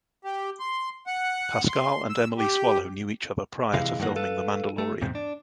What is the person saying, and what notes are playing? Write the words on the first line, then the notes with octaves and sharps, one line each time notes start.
Pascal and Emily Swallow knew each other prior to filming "The Mandalorian".
G4
C6
F#5
C6
E6
G4
C3 E3 G#3 F5
G2 D#3 E3 A#3 F#5
A4 B4 F5
A3
E2 G#2 C3
D4